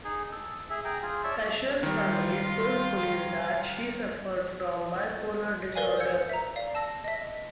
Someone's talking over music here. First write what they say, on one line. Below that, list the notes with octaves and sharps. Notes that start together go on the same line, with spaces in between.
Asher's family told police that she suffered from bipolar disorder.
D#4 G#4
A4
G#4 E5
G#4 G5 A#5
F4 G#4
C#5 D5 E5 A5
D#3 G3 F4 F5
A#4 B4 D5 F5 G#5
E6 G6 G#6 C#7
E5 A#5
D5 F5
A5 E6 A#6
D#5 E5